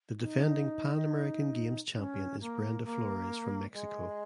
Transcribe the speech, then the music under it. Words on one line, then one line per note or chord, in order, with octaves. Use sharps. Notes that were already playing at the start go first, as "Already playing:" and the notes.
The defending Pan American Games champion is Brenda Flores from Mexico.
F4
D#4
D#4
C#4
A#3
A#3
G#3